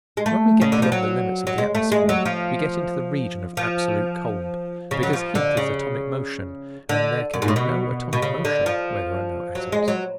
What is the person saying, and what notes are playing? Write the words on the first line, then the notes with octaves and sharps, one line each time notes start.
When we get beyond the limits of the atmosphere we get into the region of absolute cold, because heat is atomic motion, and there can be no atomic motion where there are no atoms.
G#3
A3
C#3
D3
F3
F#3
F#3
G#3
A3
G#3
F#3
F3
F3
C#3
F#3
F3
D3
C#3
D3
F#2
G#2
A2
B2
B2
C#3
D3
F3
F#3
G#3
F#3